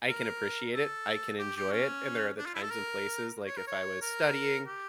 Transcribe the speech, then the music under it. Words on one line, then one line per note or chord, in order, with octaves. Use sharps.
I can appreciate it. I can enjoy it, and there are the times and places, like, if I was studying
A#4
A4
G4
G4
C#4
D4
F4
E4
A4
A#4
C#5
A#4
C#5
A#4
G4